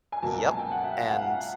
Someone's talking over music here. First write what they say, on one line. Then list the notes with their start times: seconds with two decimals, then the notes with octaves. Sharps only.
Yep, and
0.12 G#5
0.22 C#2 B2 F#3 A#3 A5
0.34 A5
0.47 G#5
0.59 G5
0.72 F#5
0.84 E5
0.95 F5
1.08 F#5
1.21 F#5